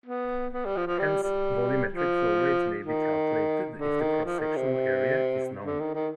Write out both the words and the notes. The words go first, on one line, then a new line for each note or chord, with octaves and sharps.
Hence, volumetric flowrate may be calculated if the cross-sectional area is known.
B3
B3
G3
F3
F3
G3
G3
F3
D#3
D3
D#3
F3
D#3
C3
D3
D#3
D#3